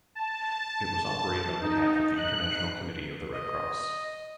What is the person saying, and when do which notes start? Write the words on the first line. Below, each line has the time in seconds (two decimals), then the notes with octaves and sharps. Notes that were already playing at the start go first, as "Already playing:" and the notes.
It was operated on behalf of the International Committee of the Red Cross.
0.15 A5
1.61 D#4
2.16 F#6
3.33 D#5